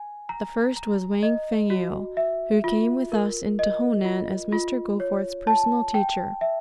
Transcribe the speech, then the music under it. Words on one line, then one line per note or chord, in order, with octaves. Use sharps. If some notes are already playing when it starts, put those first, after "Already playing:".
The first was Wang Feng-ao, who came with us into Honan as Mr. Goforth's personal teacher.
Already playing: G#5
A#5
A#5
D#5
F#4
E5
F4
A#4
D#5
F4
F4
C#5
A5
G5
E5